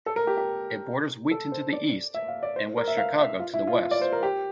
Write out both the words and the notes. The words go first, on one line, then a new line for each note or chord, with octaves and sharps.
It borders Wheaton to the east and West Chicago to the west.
A4
A#4
G4
G4
A4
C5
D5
E5
F5
D5
C5
A#4
E5
F5
E5
F4
E4
F4
D5
C5
A#4
G4